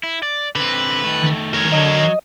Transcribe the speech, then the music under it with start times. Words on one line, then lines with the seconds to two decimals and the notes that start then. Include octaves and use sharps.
like, wow.
0.03 E4
0.23 D5
0.56 D3 C4 B4
1.04 D#3 A3
1.54 A#4 C#5 G#6
1.72 F#3 D#5